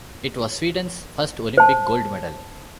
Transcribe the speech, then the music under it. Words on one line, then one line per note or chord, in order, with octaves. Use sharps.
It was Sweden's first Olympic gold medal.
C5 A5